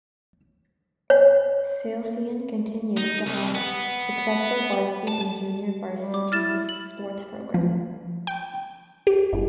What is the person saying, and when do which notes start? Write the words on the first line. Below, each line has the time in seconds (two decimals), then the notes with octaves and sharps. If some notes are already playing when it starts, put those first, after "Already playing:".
Salesian continues to have successful varsity and junior varsity team sports program.
1.10 C#5
2.97 D#4
3.26 C2
3.55 B3
5.08 A5
5.97 G3
6.14 D6
6.32 E4 F6 A6 E7
6.69 F#7
7.54 F3
8.27 G5
9.07 G4
9.33 G1